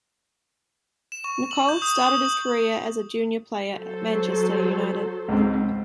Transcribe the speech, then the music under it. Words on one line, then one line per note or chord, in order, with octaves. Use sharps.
Nicholl started his career as a junior player at Manchester United.
E7
C#6
F#7
G6
D#6
D#6
F#7
F#3 A4 C5
C#2 G#2 C4